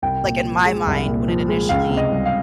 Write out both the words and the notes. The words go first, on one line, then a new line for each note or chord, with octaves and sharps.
like, in my mind, when it initially
C2 G5
A#2
F3
G#3
C2
A#2
F3
G#3
C#2 F5
C3
D#5
G3
F5